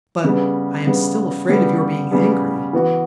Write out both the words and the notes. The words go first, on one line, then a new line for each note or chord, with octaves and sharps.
"But I am still afraid of your being angry."
C#3 G3 B3
C#3 G3 B3
C#3 G3 B3
C#3 G3 B3
E3 B3 F#4